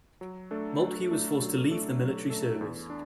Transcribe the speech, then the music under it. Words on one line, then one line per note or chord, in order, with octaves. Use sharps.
Moltke was forced to leave the military service.
F#3
A3 D4 A4
F#3
A3 D4 A4
F#3
A3 D4 A4
F#3
A3 D4 A4
E2
D4